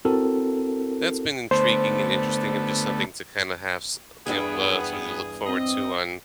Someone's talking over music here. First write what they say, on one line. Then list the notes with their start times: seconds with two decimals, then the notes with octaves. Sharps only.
that's been intriguing, and interesting, and just something to kinda have s you know, uh, something to look forward to on
0.05 C4 E4 F#4 A4 A#4
1.51 D3 A3 B3 C5
4.27 E2 G2 B3 G#4 G5
5.47 C4 D#5